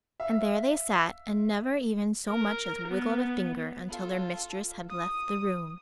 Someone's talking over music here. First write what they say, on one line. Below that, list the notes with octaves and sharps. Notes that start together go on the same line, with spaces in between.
And there they sat and never even so much as wiggled a finger, until their mistress had left the room.
E5 F5
A#4
B3
F4 A4
D#6